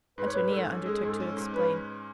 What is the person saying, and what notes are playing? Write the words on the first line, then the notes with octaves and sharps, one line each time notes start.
Antonia undertook to explain.
G#2 B4
C#5
G#2 B4
G#2 A4
C#4
G#3 G#4
G#2 A4
C#4
G#2
C#4 B4